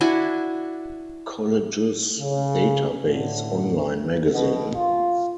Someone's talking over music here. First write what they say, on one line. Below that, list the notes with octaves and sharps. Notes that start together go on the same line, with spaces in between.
Colleges Database Online Magazine.
D4 E4 F#4 G#5
C#3
A2 D3
B2
F4